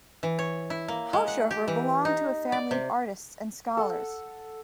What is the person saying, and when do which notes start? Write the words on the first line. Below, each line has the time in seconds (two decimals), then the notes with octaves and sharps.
Haushofer belonged to a family of artists and scholars.
0.23 E3
0.39 C#5
0.70 E4
0.88 A#3
1.13 G#3
1.28 F#5
1.51 G4
1.68 E3
2.05 D#4
2.52 D5
2.71 C3
3.77 A4 F#5